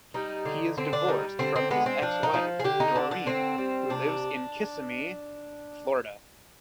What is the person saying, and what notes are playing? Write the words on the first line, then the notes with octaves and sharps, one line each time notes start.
He is divorced from his ex-wife, Doreen, who lives in Kissimmee, Florida.
G3 D#4
D3
D3 C4
D4
G3 D#4
D3 C4
C4
G#3 B3
C4
F3 D4
D#4
F3
G#4
D3 G4
D#4
D3 D4
D4
D3 C4
G3
C3 D4